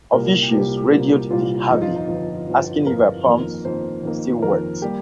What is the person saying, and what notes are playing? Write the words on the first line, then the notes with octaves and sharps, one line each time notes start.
Officials radioed the "Harvey," asking if her pumps still worked.
C2 A#2 G3 A#3 A#4
C2 A#2 G3 A#3 G4
C2 A#2 G3 A#3
C2 A#2 G3 A#3 F4
G1 F2 F3 D#4
F4
D#4
G1 F2 F3 F4
G1 F2 F3
G1 F2 F3 A#4
F2 D#3 A#3
F2 D#3 A#3 C5
F2 D#3 A#3
F2 D#3 A#3 A#4
G3 A#3 G4